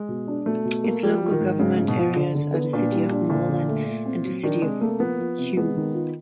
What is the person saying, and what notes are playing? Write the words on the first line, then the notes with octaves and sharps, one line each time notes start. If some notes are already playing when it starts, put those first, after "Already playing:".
Its local government areas are the City of Moreland and the City of Hume.
Already playing: G#3
B2
D4
B2 A3
B2
A#3
F3 G3
F3
D#3
G#2
G#2 C#3
G#2
B2
F3
D3
D3
B3
A#2 D4
G3
D4
A#2 D3
D3
A3
A3
C4
F#3
D#3 D4
C3 G#3
A3 A#3
F3 B3
F3
C3
G#3 B3
D#3
F4